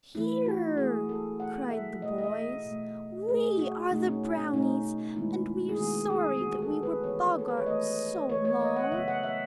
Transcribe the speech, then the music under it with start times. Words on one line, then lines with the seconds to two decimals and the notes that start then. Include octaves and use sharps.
"Here," cried the boys; "we are the brownies, and we are sorry that we were boggarts so long."
0.15 E3 A3 E4
0.46 F#4
0.77 E3 A3 G#4
1.09 A4
1.40 B2 A3 F#5
1.71 E5
2.02 B2 A3 D#5
2.18 D#5
2.24 E5
2.65 B2 A3
3.29 B2 A3 G#4
3.59 F#4
3.91 B2 A3 D#4
4.06 C#4
4.38 C#4
4.53 B2 A3 D#4
5.16 D#3 G#3 B3 E4
5.69 G#4
5.79 D#3 G#3 B3 F#4
6.10 G#4
6.41 E3 B3 F#4
6.54 G#4
6.62 A4
6.83 B4
7.04 E3 B3 C#5
7.39 A4
7.48 B4
7.57 C#5
7.66 E3 A3 D#5
8.29 E3 C#5
8.33 A3
8.45 C#5
8.61 D#5
8.76 F#5
8.92 C#3 F#3 B3 E5
9.08 F#5
9.23 E5